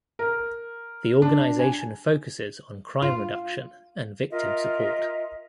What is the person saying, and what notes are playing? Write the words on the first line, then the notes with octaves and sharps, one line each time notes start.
The organization focuses on crime reduction and victim support.
A#4
D4
G#5
F4
F4 A#4 D#5 E5